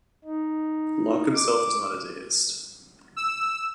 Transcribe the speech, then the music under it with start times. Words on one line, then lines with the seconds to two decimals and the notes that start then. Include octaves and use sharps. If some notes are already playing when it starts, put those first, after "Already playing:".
Locke himself was not a deist.
0.25 D#4
1.34 D6
3.16 E6